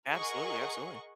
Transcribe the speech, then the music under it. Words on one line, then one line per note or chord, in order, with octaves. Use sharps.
Absolutely, absolutely.
G#4 A#4 D#5 F#5 C#6